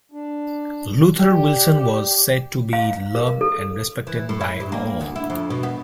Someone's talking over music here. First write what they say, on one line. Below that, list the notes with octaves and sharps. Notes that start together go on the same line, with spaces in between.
Luther Wilson was said to be loved and respected by all.
D4
G4 D5 G5
F5
A#4
A4
E3
A2
E4
G2
A#3
D2
E4
F2
B2
B3